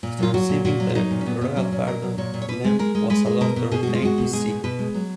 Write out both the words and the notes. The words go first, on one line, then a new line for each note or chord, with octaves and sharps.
After receiving the royal pardon, Lim was allowed to retain his seat.
A#2
F#3 F4
F#3 F#4
A#2
A#2 F#4
F#3
F4
F#3 D#4
A#2
C#4
A#2 B3
A#2 B3
F#3 C#4
A#2 C#4
A#2 A#4
F#3
A#2 C#5
A#2
C#5
B2 B4
G#3
G#3 A#4
G#3
G#3 B4
G#3
B2 A#4
B2
B2 G#4
G#3 F#4
F4
G#3 F#4
B2
G#3 G#4
B2
B2 B4
G#3
F#3